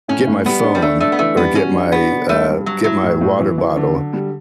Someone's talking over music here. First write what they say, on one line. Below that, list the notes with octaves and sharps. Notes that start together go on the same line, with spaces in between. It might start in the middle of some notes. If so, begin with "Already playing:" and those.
get my phone." or "Get my, uh, get my water bottle."
A2 C#4
A2
G3 B3
D4
G3
A3 D4
A3 D4
B3
E3 A3
G3 B3
C#4 F#4
D4
B3 F#4
D4
G2 A3
G2
G2 F#3
F#3 E4
A2
A2
E3
E3
D3
D3
G3